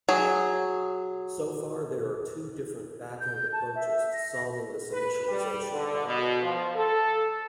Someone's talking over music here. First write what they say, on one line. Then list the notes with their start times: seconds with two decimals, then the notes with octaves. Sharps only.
So far there are two different backend approaches to solving this initialization problem.
0.09 F#3 G#4
3.20 G6
3.53 A5
3.75 E5
4.13 A#6
4.92 B4
5.28 G3
5.72 D3
6.07 B2
6.43 F3
6.75 A4